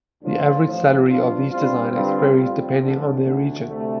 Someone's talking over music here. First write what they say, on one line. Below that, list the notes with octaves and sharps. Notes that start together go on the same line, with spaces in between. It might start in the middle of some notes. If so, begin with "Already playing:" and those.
The average salary of these designers varies depending on their region.
A1 A2 F3 D4 F4
A1 A2 F3
G2 F3 D4 F4
G2 G3 C4 F4
G2 D3 G3 C4 F4
A2 G3 C4 F4
A1 G2 D3 F3 D4
D2 D3 A3
D2 C3 A3